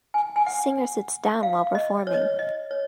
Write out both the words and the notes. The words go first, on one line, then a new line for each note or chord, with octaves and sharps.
Singer sits down while performing.
G#5
G#5
F#5
F5
D#5
C#5
D#5
C#5
D#5
C#5